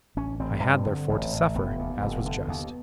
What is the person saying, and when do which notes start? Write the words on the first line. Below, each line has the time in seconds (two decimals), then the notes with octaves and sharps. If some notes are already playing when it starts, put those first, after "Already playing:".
I had, therefore, to suffer, as was just.
0.17 A1 C#4
0.40 A1 C4
0.63 G2
0.86 D3
1.09 A1
1.33 A1
1.56 F1 B3
1.79 D#2
2.02 F1
2.26 D3
2.48 D#2